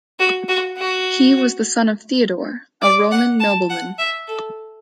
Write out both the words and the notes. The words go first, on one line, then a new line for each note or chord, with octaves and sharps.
He was the son of Theodore, a Roman nobleman.
F#4
F#4
F#4
D5
F#5
A5
F#5
E5
A4